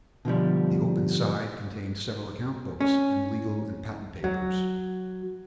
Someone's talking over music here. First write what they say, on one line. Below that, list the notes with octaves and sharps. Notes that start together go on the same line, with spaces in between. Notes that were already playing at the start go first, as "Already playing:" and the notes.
The open side contained several account books and legal and patent papers.
B2 D3 F3 G3
C#4
F#3